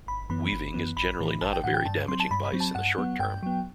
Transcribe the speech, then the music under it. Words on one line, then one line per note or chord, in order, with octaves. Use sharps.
Weaving is generally not a very damaging vice in the short term.
G1 B5
F#2 E3 B3 B5
G1
F#2 E3 B3
A1 B5
A2 E3
A1 A5
G5
A2 E3 F#5
G5
G2 A5
F#3 C4 C6
A5
G2 B5
B5
F#3 C4
A5
G2 F#5
F#3 B3
G2 G5
F#3 B3